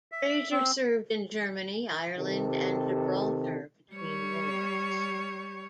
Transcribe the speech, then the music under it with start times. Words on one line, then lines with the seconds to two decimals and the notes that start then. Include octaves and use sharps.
Fraser served in Germany, Ireland, and Gibraltar between wars.
0.12 E5
0.52 C4
2.18 C3 D#3 G4 A4
3.93 G3 C#5